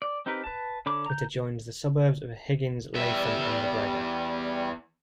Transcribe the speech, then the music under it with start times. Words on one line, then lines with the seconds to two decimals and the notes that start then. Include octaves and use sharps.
It adjoins the suburbs of Higgins, Latham and Macgregor.
0.02 D5
0.26 C4 D#4 G4 A#4 B4
0.44 B4 A5
0.86 D3 C#5 B5 D6
1.06 A#5 G6
2.94 E2 G3 E5